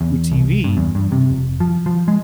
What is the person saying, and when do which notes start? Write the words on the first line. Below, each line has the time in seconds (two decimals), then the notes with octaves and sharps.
new TV,
0.01 E2
0.32 C2
0.64 G2
0.77 E2
0.95 G2
1.12 C3
1.30 F1
1.60 F3
1.86 F3
2.08 G#3